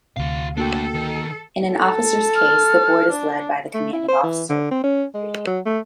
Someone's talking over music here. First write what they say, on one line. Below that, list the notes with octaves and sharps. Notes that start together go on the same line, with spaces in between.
In an officer's case, the board is led by the commanding officer.
D2 C3 F#4 F5
A3 A#3 D4 F#4 A4 G5
D#3
A4
F6
D4
A3
E4
C5
E3
D3
C4
C#4
G#3
F#3
A3